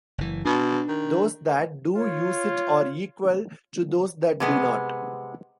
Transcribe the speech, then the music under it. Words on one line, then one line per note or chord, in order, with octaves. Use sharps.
Those that do use it are equal to those that do not.
F#1 E3
B2 D4
D#3
F4 C#5
C3 G#3 B3